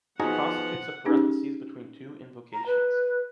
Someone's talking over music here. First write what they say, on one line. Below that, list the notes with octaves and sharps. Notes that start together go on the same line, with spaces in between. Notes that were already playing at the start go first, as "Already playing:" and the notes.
It constitutes a parenthesis between two invocations.
F3 B3 D#4 F#4 G#4 F#5 A#5
C#4 D#4 G4 G#4
A#5
B4